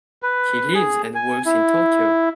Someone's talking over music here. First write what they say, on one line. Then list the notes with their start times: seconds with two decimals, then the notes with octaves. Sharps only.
He lives and works in Tokyo.
0.23 B4
0.75 G#4
1.15 G#5
1.46 E4